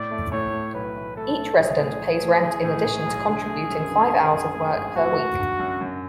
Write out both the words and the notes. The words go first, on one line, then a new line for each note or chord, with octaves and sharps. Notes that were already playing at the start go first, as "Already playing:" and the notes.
Each resident pays rent in addition to contributing five hours of work per week.
Already playing: A2 D5
A3
A2 C#5
A3
B1 B4
E3
A3 A4
A3
B1 G#4
A2
E3
A3
E3
A2
A2
B1
D3 G#4
A3
F#2
D3
D3
F#2
A3
G#1
A3 F#4
A3
D3
F#2
F#2